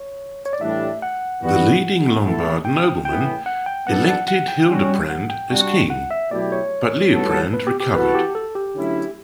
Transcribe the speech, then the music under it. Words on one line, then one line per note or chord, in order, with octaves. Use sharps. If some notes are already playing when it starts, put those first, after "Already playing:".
The leading Lombard noblemen elected Hildeprand as king, but Liutprand recovered.
Already playing: C#5
C#5
D5
A2 E3 G3 D4 E5
F#5
E3 G3 B3 F#4
E3 A3 E4 A4
G5
A2 E3 B3 G5
F#5
G5
F#3 B3 D4 A4 F#5
F#5
F#5
G5
G3 C#4 F#4
F#5
G5
G3 D4 F#4
F#5
E5
B2 F#3 A3 E4 G4 D5
C#5
A2 G3 B3 F#4 A4
B4
G4
G4
E3 B3 F#4 A4 B4
G4
A4
G4
D3 F#3 A3 C#4 E4